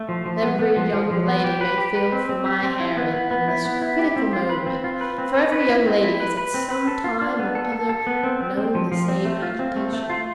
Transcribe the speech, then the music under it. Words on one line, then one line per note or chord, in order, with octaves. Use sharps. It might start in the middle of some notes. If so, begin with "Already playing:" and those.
Every young lady may feel for my heroine in this critical moment, for every young lady has at some time or other known the same agitation.
Already playing: A3
F3
F3
B3
B3
F3
F3
F3
B3
G4
B4
G4
B4
C4
C4
G4
C4
E4
B3
B3
B3
E4
B3
E4
G4
C4
F4
B4
C4
F4
B4
C4
B4
B4
E4
C4
E4
B4
B4
C4
B4
A4
F4
D4
B3
A4
A4
A4
B3
C4
C4
C4
F3
F3
C4
A3
F4
C4
A3
A3
F4